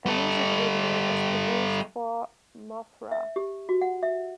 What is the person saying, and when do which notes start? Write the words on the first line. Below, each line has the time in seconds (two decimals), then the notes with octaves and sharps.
A music video was produced for "Mothra".
0.06 G3 A4
3.12 E5
3.36 G4
3.69 F#4
3.82 F#5
4.03 E5